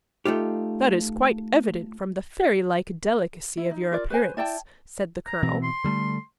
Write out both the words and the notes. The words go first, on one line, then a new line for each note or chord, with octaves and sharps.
"That is quite evident from the fairy-like delicacy of your appearance," said the colonel.
A3 D#4 F4 G4
E4
D#4
F4 A#4 D5
B4 C5 G#5
E4 D5 G5 A5
A#5
B2 E3 C4
C6
D3 G3 A3